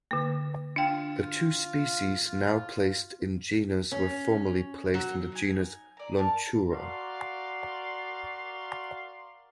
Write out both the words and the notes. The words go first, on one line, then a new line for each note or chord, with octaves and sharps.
The two species now placed in genus were formerly placed in the genus "Lonchura".
D3 A#3
D4 F4 G5
C#4
F#3
D#4 G#5
D5 A#5
A#4 A5
F#4 A#4 D5 F5 C6